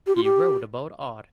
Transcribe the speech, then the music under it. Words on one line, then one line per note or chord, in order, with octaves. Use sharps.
He wrote about art.
G4
F4
G4